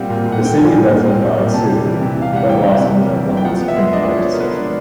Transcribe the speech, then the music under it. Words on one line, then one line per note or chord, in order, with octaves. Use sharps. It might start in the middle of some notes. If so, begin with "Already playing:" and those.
The city of Bethany filed suit, but lost in an Oklahoma Supreme Court decision.
Already playing: A#2 G3 C4 F5 F#5
A#2
A#2
F#5
C4 G5
G3 G#5
A#2
A#2
C4
G3
A#2
C3 A5
G3
E3
C3
C3 F5
G3 F#5
E3 G5
C3
C3
G3
E3
C3
G5
F3 F#5
B3
E5
G#3
D4 D#5
F3
C#5
B3
A#4
G#3 B4
D4